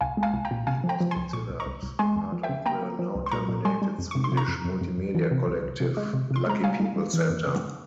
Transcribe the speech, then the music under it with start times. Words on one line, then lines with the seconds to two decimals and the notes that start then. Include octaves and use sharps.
He was considered part of the now terminated Swedish multimedia collective Lucky People Center.
0.01 C2 F5 G#5
0.17 G#3
0.23 F5 G#5
0.34 C2
0.45 G5 A#5
0.51 A#2
0.67 C3 F5 G#5
0.84 F3
0.89 G5 A#5
1.00 F3
1.11 G#5 C6
1.16 C2
1.33 A#2 C#6
1.50 C2
1.60 A#5 C#6
1.66 C2
1.83 C2
1.99 G#3 G#5 C6
2.16 E2
2.32 F3
2.43 E5 G5
2.49 C#3
2.66 A#3 G5 A#5
2.82 A#3
2.99 F3
3.15 C2
3.26 C6
3.31 A#2 A#5 C#6
3.48 A#2
3.65 G3 G#5 C6
3.82 G3
3.98 F2
4.11 C3 C#6
4.24 C6
4.32 C3
4.37 A#5 C#6
4.48 F2
4.65 F2
4.81 F2
4.98 F2
5.15 E3
5.31 C3
5.47 C2
5.64 C2
5.80 C3
5.97 G#3
6.13 C3
6.31 C3
6.36 C6
6.47 G#3 A#5
6.64 G3 F5 G#5
6.80 G3
6.96 G3
7.13 E3
7.30 F2
7.47 C#3